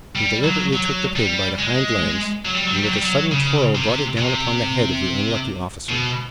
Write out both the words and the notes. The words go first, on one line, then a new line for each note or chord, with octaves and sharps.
He deliberately took the pig by the hind legs, and with a sudden whirl brought it down upon the head of the unlucky officer.
G3
F#3
F#3
G3
G#3
F#3
G3
F#3
G3
F#3
G3
F#3
C#3
C3
C3
B2